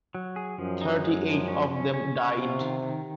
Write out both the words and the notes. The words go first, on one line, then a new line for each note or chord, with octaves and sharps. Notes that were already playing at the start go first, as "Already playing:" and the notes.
Thirty-eight of them died.
F#3
G#4
F#2 F3
D#4
G#3
F3
C#4
C#4
C#4
C#5
C3 F4
D#3
D#3